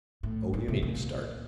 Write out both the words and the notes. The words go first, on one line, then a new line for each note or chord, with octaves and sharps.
Oh, you needn't start!
A2
A#2
C3
A#2